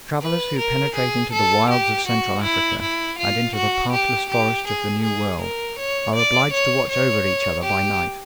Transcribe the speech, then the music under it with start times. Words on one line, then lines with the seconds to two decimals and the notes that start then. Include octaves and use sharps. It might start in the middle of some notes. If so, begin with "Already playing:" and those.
Travellers who penetrate into the wilds of central Africa, and into the pathless forests of the New World, are obliged to watch over each other by night.
0.21 B4
0.58 A#4
0.95 G#4
1.33 A4
1.70 G4
2.07 F#4
2.44 E4
2.81 E4
3.18 F4
3.55 F#4
3.92 G4
4.30 G4
4.67 G#4
5.04 G#4
5.41 A#4
5.78 C#5
6.15 D5
6.53 C#5
6.89 C#5
7.63 G4